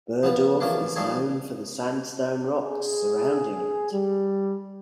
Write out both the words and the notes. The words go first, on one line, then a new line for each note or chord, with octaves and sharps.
Berdorf is known for the sandstone rocks surrounding it.
F3 B3 B4
E3 F3 A#3 C#4 D4
F3 G3 D#4 G#4 A4 C#5
G#4
G3